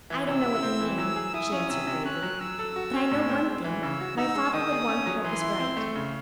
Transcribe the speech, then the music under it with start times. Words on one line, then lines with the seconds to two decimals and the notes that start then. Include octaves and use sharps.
"I don't know what you mean," she answered bravely, "but I know one thing: my father would want what was right."
0.10 E3
0.28 C3 E6
0.46 E4
0.63 C4
0.81 E3
0.98 F#3 E6
1.16 G#4
1.34 E4 D#6
1.52 C#4
1.69 C3 E6
1.87 C3
2.05 C#4 F#6
2.23 F#3
2.40 F#3 E6
2.59 A4
2.76 F#4
2.93 C#4
3.12 A2
3.29 C4
3.47 G#3
3.64 E3
3.82 C#3 E6
4.01 F#4
4.18 D#4 E6
4.35 G#3
4.53 D#3 D#6
4.71 G#4
4.89 C#4
5.06 F#3
5.24 E3 C6
5.41 E4
5.60 C4
5.77 A3
5.95 C#3